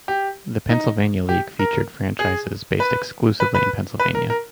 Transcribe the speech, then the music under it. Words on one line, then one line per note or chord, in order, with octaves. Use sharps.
The Pennsylvania League featured franchises based exclusively in Pennsylvania.
G4
D#4
G4
A#4
G#4
B4
B4
B4
B4
A#4
A#4